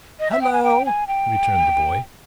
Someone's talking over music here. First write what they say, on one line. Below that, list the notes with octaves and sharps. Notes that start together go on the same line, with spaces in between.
"Hallo!" returned the boy.
D#5
E5
G5
G#5
G5
G#5
G5